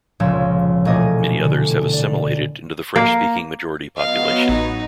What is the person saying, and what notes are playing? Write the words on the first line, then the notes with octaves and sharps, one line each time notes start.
Many others have assimilated into the French-speaking majority population.
F1 C#2 A#2 F3 C#5 E6
E1 A#2 A3 D#5 G#5 D6
D3
D5
A#3
F#3 B3 D#5 F5
A1 D#4